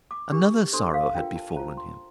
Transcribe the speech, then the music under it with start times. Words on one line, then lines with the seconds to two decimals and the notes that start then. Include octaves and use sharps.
Another sorrow had befallen him.
0.11 D6
0.32 D4 G4 A#4
0.73 D4 A4 C5 C6
0.94 F5
1.15 D4 F4 A#4 G5
1.36 A5
1.51 A5
1.56 F4 C5 A#5
1.77 C6